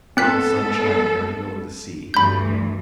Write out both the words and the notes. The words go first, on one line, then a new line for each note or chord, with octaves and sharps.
Warm sunshine merrying over the sea.
G#3 B3 C4 A4 F#6 B6
D2 G2 E3 B5 G6